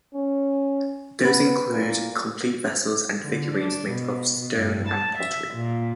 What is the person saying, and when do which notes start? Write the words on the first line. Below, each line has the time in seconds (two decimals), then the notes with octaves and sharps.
Those include complete vessels and figurines made of stone and pottery.
0.14 C#4
1.23 B3 C4 B4
1.71 A#2
3.19 D3
3.53 D4
3.89 B2
4.56 G2
4.87 A5
5.17 E5
5.54 A#2